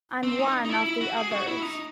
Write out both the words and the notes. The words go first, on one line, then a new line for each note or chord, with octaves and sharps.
I’m one of the others.
C4
D#4
D#4
E4
E4
F#4
G#4
F#4
E4
D#4